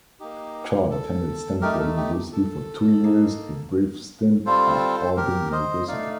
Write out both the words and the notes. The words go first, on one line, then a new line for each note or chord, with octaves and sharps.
Chad attended Stanford University for two years a brief stint at Harding University.
A#3 D#4 G4
A4
A3 D#4 G4 A#4
G4
A4
G4
A4
A#3 D#4
G3 C4 F4 A4 C5
G4 A#4
C5 D#5
A3 D#4 D5 F5